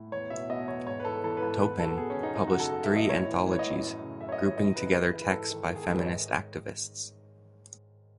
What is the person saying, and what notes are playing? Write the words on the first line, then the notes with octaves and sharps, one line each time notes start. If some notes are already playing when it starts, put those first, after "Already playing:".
Toupin published three anthologies grouping together texts by feminist activists.
Already playing: A2
E2 C#5
B2 E5
B2 D#5
E2 C#5
G#2 C#5
B4
E3 A4
E3 A4
B4
G#2 A4
E2 B4
B2 A4
B2 G#4
C#4
E2
D#4
F#2 D#4
F#4
C#3
A4
F#2
E5
E3
D#5
A2 C#5
E3
E3
C#5
D#5
A2
D#5
F#2
C#3
F#2 E5
C#5
D#5
E3
C#5
F#2 D#5
C#3 B4
F#2
E3
B4
G#2 A4
D#3
D#3
G#4
A4
G#2 B4
C#5
G#2 D#5